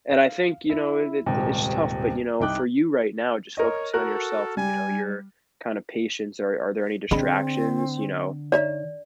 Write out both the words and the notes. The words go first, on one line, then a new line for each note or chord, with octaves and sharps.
And I think, you know, it it it's tough, but you know, for you right now, just focusing on yourself and, you know, your kind of patience, are are there any distractions, you know,
F5
E4
D#1 D#2 G#2 C3
C2 D#4 G5 D6 F#6
A#4 C#5 D#5
F#4 A4 A#4 F#6
G3 G#5
D3 C4 G#4 D#5 B5
D#4 C#5 D5 E5